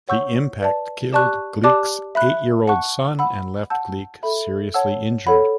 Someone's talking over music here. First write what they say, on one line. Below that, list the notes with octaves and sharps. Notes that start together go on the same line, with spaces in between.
The impact killed Gleick's eight-year-old son and left Gleick seriously injured.
C#5 F#5 C#6 E6 G6
B4 D5 A5
G4 D5 A5 C#6 F#6
G4 D5 A5 D6 F#6
E5 B5 F#6
F#5 A5 C#6 F#6
F#5 B5 E6
F#5 A5 E6 G6
A4 E5 B5
C#5 F#5 A5 E6
A4 C#5 F#5 B5